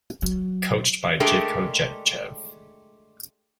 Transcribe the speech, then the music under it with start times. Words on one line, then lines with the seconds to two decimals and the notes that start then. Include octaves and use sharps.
Coached by Jivko Jetchev.
0.22 F#3
1.20 G#3 A3 D4 G4 G#4 A#4